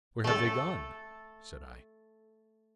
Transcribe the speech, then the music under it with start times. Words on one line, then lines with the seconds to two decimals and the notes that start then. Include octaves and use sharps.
"Where have they gone?" said I.
0.24 A3 A4